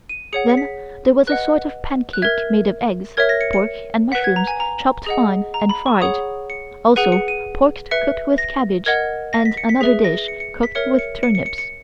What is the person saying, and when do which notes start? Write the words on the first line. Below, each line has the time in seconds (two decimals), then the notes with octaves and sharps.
Then there was a sort of pancake made of eggs, pork and mushrooms chopped fine and fried, also pork cooked with cabbage and another dish cooked with turnips.
0.09 D#7
0.33 G#4 C#5 F#5 C#7
0.49 C#7
0.57 B6
1.27 B4 D#5 F#5 F#6
2.13 F#6
2.22 A#4 E5 G#6
3.17 A#4 C#5 E5 G#6
3.29 A#6
3.41 C#7
3.53 C#7
4.12 B4 F#5 B6
4.24 G#6
4.36 A#5
4.47 G#5
4.60 A#5
5.06 G#4 D#5 F#5
5.54 A#5
5.69 B5
5.86 C#6
6.02 G#4 C#5 F#5 D#6
6.50 C#7
6.96 G#4 B4 F#5 D#7
7.12 C#7
7.28 D#7
7.91 B4 E5 C#7
8.38 A#6
8.86 A#4 D#5 F#5 G#6
9.33 A#6
9.45 B6
9.57 C#7
9.69 B6
9.81 G#4 B4 E5 B6
10.04 A#6
10.28 C#7
10.40 C#7
10.63 B6
10.75 A#4 C#5 E5 C#7
10.99 C#7
11.23 C#7
11.35 C#7
11.46 C#7
11.58 C#7